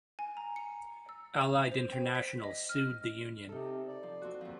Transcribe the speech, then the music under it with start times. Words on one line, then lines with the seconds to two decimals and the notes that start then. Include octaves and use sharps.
Allied International sued the union.
0.19 G#5
0.37 A#5
0.56 C#7
1.09 E6
1.41 F7
1.72 C5
1.92 G5
2.15 B6
2.44 D#5
2.69 F6
3.49 C3 D#4 A4
3.87 D5
4.03 F3
4.22 C4 F#4
4.41 D#2 F3